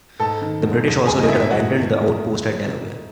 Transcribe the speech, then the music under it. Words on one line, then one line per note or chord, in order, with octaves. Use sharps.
The British also later abandoned the outpost at Delaware.
G#2 A4 A5
D#3
G#2
G#2
G#2 G#4 G#5
D#5
G#2 E4 E5
E4 E5
F#4 F#5